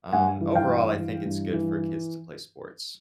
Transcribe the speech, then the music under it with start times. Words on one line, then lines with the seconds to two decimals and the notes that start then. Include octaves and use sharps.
um, overall I think it's good for kids to play sports.
0.13 G2 F#5 G#5
0.41 E3
0.55 F5 G5
0.68 G2
0.98 E3
1.25 G2
1.53 E3